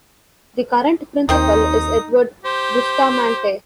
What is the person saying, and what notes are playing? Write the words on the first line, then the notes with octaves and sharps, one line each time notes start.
The current principal is Edward Bustamante.
D#2 D#3 C4 D#4 C5 D#6
G4 C5